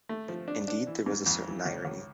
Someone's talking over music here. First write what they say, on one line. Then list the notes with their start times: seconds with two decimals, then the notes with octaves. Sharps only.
Indeed, there was a certain irony.
0.09 A3
0.29 F3
0.48 D4
0.68 D4
0.87 E3
1.06 G#2
1.26 F2
1.46 E3
1.65 C#2
1.85 C#2